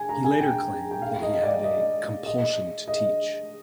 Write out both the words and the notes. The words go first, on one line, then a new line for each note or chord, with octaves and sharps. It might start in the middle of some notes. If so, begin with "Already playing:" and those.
He later claimed that he had a "compulsion to teach".
Already playing: G#5
A#5
G#5
G5
G5
F5
D#5
D5
D#5
D#5
D#5